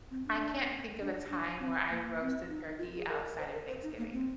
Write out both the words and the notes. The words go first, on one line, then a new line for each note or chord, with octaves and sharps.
I can't think of a time where I roasted turkey outside of Thanksgiving.
C4
D4
D4
D4
C4
A#3
C4
D#4
F4
G#4
A#4
C5
A#4
C5
D#4
A#3
C4